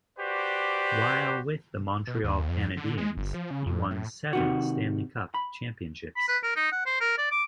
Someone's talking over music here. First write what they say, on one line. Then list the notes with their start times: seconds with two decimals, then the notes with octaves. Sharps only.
While with the Montreal Canadiens, he won seven Stanley Cup championships.
0.19 F#4 G4 B4 C5 D5
2.07 B2
2.24 D#2
2.50 F2
2.77 D3
2.97 G#3
3.17 G1
3.34 F3
3.51 C#3
3.66 F2
3.91 A2
4.33 C3 D#3 F#4
5.34 B5
6.16 B5
6.28 B4
6.43 A#4
6.56 D#4
6.72 F#5
6.86 C5
7.00 A#4
7.18 D5
7.31 D6